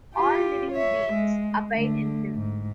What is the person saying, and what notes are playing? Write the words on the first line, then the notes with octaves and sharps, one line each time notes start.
All living beings abide in Him.
F4 G4
C#5 E5
G#3
D3 A3
G#2